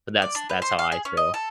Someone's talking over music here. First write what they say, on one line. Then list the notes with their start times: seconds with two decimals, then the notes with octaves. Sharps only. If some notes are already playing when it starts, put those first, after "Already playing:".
but that's that's how I feel.
0.22 D5
0.35 D4
0.49 B4
0.62 C5
0.79 F5
0.92 G#4
1.05 C#4
1.17 D#5
1.34 A4